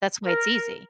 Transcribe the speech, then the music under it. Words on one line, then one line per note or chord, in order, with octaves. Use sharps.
that's why it's easy.
A#4